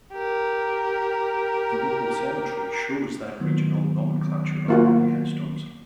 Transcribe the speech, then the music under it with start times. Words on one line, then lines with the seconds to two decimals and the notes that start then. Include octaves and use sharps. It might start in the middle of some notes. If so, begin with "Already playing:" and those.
The local cemetery shows that regional nomenclature on many headstones.
0.13 G4 A#4
3.40 D#3 F#3 B3
4.68 A#3 F4 F#4